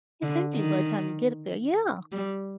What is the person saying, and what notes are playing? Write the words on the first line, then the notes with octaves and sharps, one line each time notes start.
It's empty by time you get up there. Yeah.
D3
D#3
G3